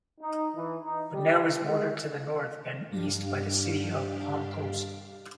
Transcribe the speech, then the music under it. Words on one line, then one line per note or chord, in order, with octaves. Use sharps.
Bunnell is bordered to the north and east by the city of Palm Coast.
D#4
E3
D#4
G3
G#3
G2 D4 G4 F5